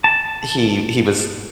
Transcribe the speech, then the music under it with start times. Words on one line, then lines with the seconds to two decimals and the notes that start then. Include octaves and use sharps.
he he was
0.04 A5